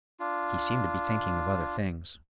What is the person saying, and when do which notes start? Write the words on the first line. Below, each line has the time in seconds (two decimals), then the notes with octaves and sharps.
He seemed to be thinking of other things.
0.20 D4 F4